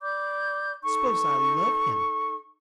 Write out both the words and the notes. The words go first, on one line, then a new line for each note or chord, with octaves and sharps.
"S'pose I love him?"
D5 B5 D6 G6
D#4 A4 C#6